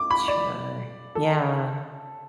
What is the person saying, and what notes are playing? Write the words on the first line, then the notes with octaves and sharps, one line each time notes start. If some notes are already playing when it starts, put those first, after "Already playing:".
Sure, yeah.
Already playing: D6
B5
D5
A4